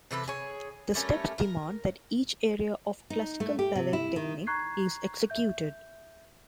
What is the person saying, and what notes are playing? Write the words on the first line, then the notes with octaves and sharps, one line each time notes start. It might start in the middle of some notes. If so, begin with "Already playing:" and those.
The steps demand that each area of classical ballet technique is executed.
C3 E3 A4 B4
G#4 C#5
G3 A3 C#4 A#4
A#4
D#4
A3
G4
C3
E4
D#3
A#5 C#6 F#6 G#6 C7
E5 G6